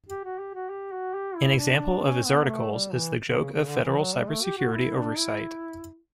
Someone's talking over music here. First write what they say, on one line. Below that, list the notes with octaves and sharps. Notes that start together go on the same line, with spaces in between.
An example of his articles is "The Joke of Federal Cybersecurity Oversight".
G4
F#4
G4
F#4
G4
F#4
G4
E4
D4
C#4
B3
A3
G3
E3
D3
C#3
C#3
D3
E3
F#3
G3
A3
G4
F#4
E4
D4
E4